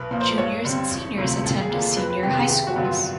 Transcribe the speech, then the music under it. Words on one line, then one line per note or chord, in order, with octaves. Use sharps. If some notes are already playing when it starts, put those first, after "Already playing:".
Juniors and seniors attend senior high schools.
Already playing: B1 B4
A#2 F3 A#3
C5
G2 C#5
D3 G3 C4
E1
D2 C3 F3 A3
D#2 A4
G#4
D3 F3 A#3
A4
F2 B4
B4
C3 D#3 G4
G#4
G#1 G4
F#4
G2 D3 F#3 B3
F4